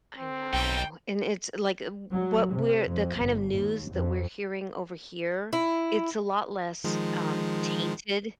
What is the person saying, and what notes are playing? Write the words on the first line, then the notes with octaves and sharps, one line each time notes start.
I know, and it's like uh, what we're the kind of news that we're hearing over here, it's a lot less, um, tainted.
C4
B1 G3 D#4 G5
F#3
C3
F2
G1
D#2
F2
E4
D#3 F3 G#3